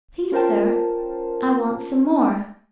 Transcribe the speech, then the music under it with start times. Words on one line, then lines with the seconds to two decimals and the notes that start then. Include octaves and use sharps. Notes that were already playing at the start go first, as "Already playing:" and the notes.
'Please, sir, I want some more.'
0.32 C#4 F4 A#4 C5 G5 A5